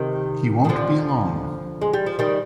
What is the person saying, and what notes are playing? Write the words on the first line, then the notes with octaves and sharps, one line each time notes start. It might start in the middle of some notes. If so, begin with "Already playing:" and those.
He won’t be alone.
Already playing: C3 D#3
D#3
D3 F3
G#3
G3
F3
D#3 G3